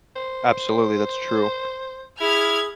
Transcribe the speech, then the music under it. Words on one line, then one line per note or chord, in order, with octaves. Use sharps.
Absolutely, that's true.
C5
E4 G#4 B5 F6 G#6